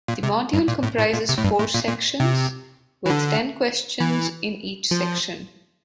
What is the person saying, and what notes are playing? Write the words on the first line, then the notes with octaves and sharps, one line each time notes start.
The module comprises four sections, with ten questions in each section.
A#2
C3
G2
A#2
A2
A2
A#2
C3
A2
G2
A2
A#2
A#2
C3
E3
D3
E3
F3